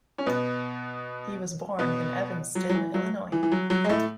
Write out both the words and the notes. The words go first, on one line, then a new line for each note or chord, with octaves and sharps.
He was born in Evanston, Illinois.
C#4
B2 B3
B2 B3
F#3
F#3
E3
F#3
E3
E3
F#3
F#3
G#3
A2 A3